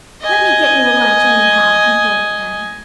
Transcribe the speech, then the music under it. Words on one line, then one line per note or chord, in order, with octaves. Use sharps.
"Let me get you a lunch anyhow," implored Anne.
D#5 G#5